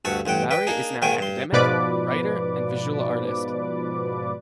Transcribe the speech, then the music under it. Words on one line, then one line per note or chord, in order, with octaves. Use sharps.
Lowry is now an academic, writer and visual artist.
D2 G2 A4 F#5 C#6
A1 G2 F#5 G5
B4 G5
A#3 D4 D#4 G#4
G#2 D#3 A#3 G5 G#5 C#6
G2 C6
G#2 B2 F3 B4 D5 D6